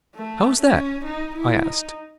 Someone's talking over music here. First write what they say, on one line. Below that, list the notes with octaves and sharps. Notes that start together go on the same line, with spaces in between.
"How is that?" I asked.
A3
C#4
D#4
E4
D#4